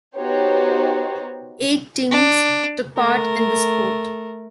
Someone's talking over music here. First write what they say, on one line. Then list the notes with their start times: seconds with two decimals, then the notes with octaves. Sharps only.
Eight teams took part in this sport.
0.16 B3 D#4 F#4 G4 C5 C#5
2.11 D4
2.96 A3 A#4